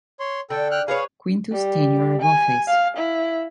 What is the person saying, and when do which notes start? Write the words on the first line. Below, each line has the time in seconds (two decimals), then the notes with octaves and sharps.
Quintus's tenure of office.
0.20 C#5 C6
0.50 D3 A4 G5
0.71 G5 F6 F#6
0.88 G#4 B4 C#5 F5
1.52 G3
2.22 G#5
2.67 F5
2.97 E4